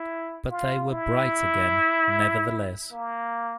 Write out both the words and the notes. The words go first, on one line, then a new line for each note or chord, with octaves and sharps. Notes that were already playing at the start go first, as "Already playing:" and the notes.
But they were bright again, nevertheless.
Already playing: E4
F4
E4
A#3